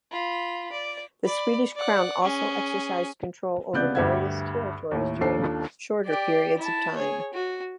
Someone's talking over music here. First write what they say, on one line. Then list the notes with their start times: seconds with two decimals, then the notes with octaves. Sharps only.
The Swedish Crown also exercised control over various territories during shorter periods of time.
0.11 F4 B5
0.72 D5
1.24 D5 B5
1.75 D5 F#5
2.23 C#4 G#4
3.73 C#2 C3 B3 D5 F#6 G6
3.95 D2 G2 G4 E5 F#5 G#6
4.91 D#2 A2
5.21 D#2 D4 F4 A4 A5 C7
6.06 G4 D5
6.58 E4 A5
6.96 G#4 C#5
7.33 F#4